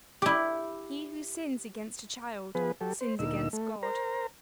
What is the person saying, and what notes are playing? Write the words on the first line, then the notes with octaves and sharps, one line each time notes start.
He who sins against a child, sins against God.
E4 G4
F3 B3 G#4 B4
F#3 G4 A4
C5
D2 A#2 D#4 E6
A3
A#4 C5 A#5